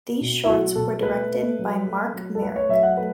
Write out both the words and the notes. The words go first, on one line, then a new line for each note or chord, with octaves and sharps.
These shorts were directed by Mark Marek.
B2
E4
F#3 F#4
B2 A4
A3 B4
A3
F#3
A3
F#3
A4
A3 B4
C#5
F#3 E5
F#5
A3 B4